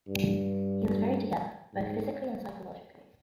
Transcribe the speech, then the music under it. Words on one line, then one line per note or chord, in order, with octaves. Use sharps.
He was very together both physically and psychologically.
G2
G#2